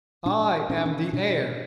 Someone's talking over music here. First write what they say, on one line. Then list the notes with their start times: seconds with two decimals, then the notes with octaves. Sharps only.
"I am the heir."
0.25 A#2 D4
0.69 A#2 C#4
0.77 D4
0.86 C#4
1.13 B2 D4